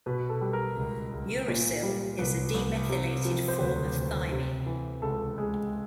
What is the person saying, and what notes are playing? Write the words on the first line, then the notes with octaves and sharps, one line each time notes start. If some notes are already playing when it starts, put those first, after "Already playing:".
Uracil is a demethylated form of thymine.
B2 B4
A4
G3
A#4
C#2
C#2
A#2
G3
C2 B4
C2
C3
F3
C5
D2 B4
D2
C3
E3
C#2 A4
G#3